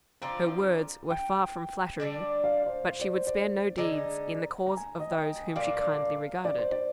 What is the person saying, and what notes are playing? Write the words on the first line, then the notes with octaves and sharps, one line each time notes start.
Her words were far from flattery; but she would spare no deeds in the cause of those whom she kindly regarded.
D3 F3 C4 F4 A#5
G5
D3 G3 D4
F5
C5
C5
D5
C5
D5
C5
D3 G#3 D#4 A#5
A#5
G#5
D#5
G5
A#2 G3 D4 F5
D5
C5
D5